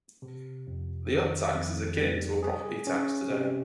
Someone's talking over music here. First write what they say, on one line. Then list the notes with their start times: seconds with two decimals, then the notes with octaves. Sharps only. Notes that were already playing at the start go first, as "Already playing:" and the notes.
The hut tax is akin to a property tax today.
0.22 C3
0.67 F2
1.11 D#3
1.55 F2
1.98 G3
2.43 G#4
2.87 C#4
3.30 C3